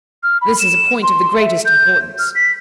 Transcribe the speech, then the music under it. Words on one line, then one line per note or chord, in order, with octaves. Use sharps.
This is a point of the greatest importance.
F6
B5
E7
C6
E5
G6
F6
B6